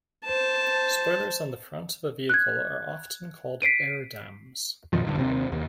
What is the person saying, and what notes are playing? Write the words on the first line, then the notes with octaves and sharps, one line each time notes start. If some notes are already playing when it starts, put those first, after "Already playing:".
Spoilers on the front of a vehicle are often called air dams.
C5 A5
F#6 G#6
B6 C7 D7 D#7
F2 A#2 D#3 F3
D#1 G2 D3
D#2 C3 C4
D#2